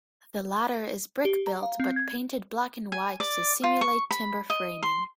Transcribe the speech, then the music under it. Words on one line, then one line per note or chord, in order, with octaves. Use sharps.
The latter is brick-built but painted black and white to simulate timber framing.
G4
A#5
F5
C4
G#6
G#5
D5
F4
C#6
B5
D#5
C6